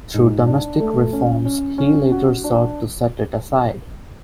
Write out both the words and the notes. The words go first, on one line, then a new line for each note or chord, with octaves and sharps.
Through domestic reforms he later sought to set it aside.
G#2
D4
A3
C#4
C#4
C#4
F#4
D4